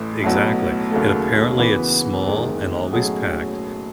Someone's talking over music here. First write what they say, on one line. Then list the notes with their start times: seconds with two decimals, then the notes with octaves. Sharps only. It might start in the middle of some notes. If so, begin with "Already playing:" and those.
Exactly. And apparently, it's small and always packed,
Already playing: A1 A2
0.24 B1 A2 F#3 B3
0.91 D#2 C#3 F#3 A3
1.58 C#3 E3 B3 F#4 B4
2.25 F#1 E2 D#3 G#3
2.93 B1 A2 F#3 C#4 G#4